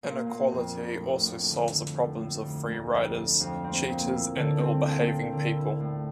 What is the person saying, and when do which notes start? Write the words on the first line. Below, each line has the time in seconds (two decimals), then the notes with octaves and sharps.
Inequality also solves the problems of free-riders, cheaters and ill-behaving people.
0.03 A#2
0.27 A#2
0.51 F2
0.75 D4
0.99 A2
1.23 A2
1.48 D3
1.71 D3
1.95 A2
2.19 A2
2.43 D2
2.68 D2
2.91 F2
3.16 D4
3.40 F2
3.64 C4
3.88 A#2
4.12 E4
4.36 D3
4.59 C4
4.84 A#2
5.07 C4
5.32 D3
5.56 E4
5.80 A2